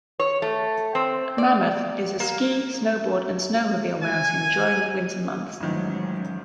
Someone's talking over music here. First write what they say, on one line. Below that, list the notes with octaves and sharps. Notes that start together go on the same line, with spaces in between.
Mammoth is a ski, snowboard, and snowmobile mountain during the winter months.
C#5
A3
C4
D5
A#3
G#5
A1 D#3 F3 F#3 G#3 C#4